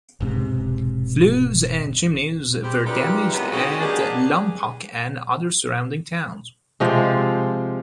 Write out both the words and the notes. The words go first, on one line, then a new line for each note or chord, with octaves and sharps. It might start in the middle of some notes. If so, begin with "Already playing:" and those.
Flues and chimneys were damaged at Lompoc and other surrounding towns.
E1 G#2 C3
G3 G#3 C4 G4
F#2 D#4 F4 G4 B4 D5
C3 E3 F#3 G#3 B3
C4 C#4 D#4 F#4 G#4
G#3 A#3 B3 D4 G4 G#4
C3 F3 G#3